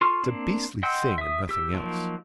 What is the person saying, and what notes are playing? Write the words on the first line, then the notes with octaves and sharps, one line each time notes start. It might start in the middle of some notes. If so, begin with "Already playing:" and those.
It's a beastly thing and nothing else.
F4 A4 C6 C#6 F6
A#3 C4 D4
D#5 F#5 G5 C6 E6
E5 D#6
G4 E6
F3 F#3 A#3 D#4